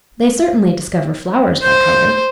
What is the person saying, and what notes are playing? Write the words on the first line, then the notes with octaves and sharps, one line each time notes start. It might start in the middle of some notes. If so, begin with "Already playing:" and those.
They certainly discover flowers by colour.
C5 G6